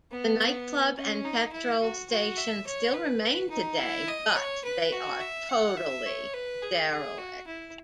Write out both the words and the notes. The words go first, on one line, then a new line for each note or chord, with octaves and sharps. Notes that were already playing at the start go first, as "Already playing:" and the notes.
The nightclub and petrol station still remain today, but they are totally derelict.
B3
C#4
D#4
E4
F#4
F#4
E5
C#5
B4
D#4
E4
D#5
C#5
B4
F#4
E5
F#5
E5
C#5
B4
G#4
G#4
F#4
E4